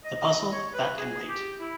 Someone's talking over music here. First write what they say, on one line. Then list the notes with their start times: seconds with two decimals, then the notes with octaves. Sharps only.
The puzzle — that can wait.
0.04 D#5
0.27 D#5
0.51 C#5
0.74 B4
0.97 G#4
1.28 G4
1.59 E4